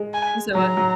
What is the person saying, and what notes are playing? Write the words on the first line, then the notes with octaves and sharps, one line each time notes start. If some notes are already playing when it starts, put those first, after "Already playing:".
You say what?
Already playing: G#3
G#5
F#3 A#5
F#3